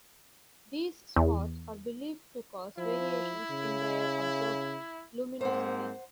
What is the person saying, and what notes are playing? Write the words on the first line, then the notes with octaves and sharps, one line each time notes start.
These spots are believed to cause variations in their observed luminosity.
E2
F3 E4
C#3
G#2 A#3 C4 C5 F#5